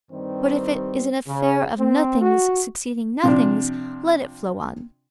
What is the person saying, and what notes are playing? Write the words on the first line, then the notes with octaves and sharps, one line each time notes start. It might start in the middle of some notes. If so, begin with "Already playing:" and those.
But if it is an affair of nothings succeeding nothings, let it flow on.
G2 D#3 G3 C4
C#3
C4
F#4
C3 F3 D4